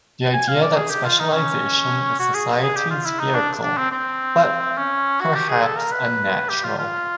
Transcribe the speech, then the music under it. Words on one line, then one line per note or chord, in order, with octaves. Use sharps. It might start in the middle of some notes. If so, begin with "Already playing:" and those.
The idea that specialization is society's vehicle, but perhaps unnatural.
G#5
F5
D5
G#4
G4
F4
D#4
C#4
F#4
G#4
G#4
G4
F4
E4
D#4
D4
D4
C4
C4
C#4
F#4
G4
G#4
A4
A#4
B4
G4
F4
F4